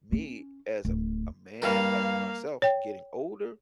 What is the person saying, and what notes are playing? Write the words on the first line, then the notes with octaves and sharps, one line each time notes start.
me as a a man, like for myself, getting older,
C#4
D1
G2 G3 A#3 A#4 F5
C#5 G5